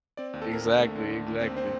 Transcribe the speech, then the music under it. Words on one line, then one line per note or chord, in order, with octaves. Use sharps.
Exactly exactly,
C4 D5
D#2
A4
D#2 A#4
D3
A3
D3
D#2
D#2
C4
C4 C5